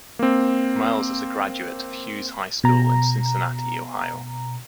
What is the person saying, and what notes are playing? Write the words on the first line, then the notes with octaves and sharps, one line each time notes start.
Miles is a graduate of Hughes High School in Cincinnati, Ohio.
A#3 C4
B2 A#5